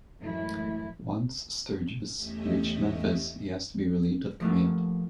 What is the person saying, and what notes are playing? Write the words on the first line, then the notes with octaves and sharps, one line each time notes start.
Once Sturgis reached Memphis, he asked to be relieved of command.
F#2 A2 E3 G#3 A3 E4
E2 A3 C#4 G4 D#5 E5
F3 A3 A#3 F4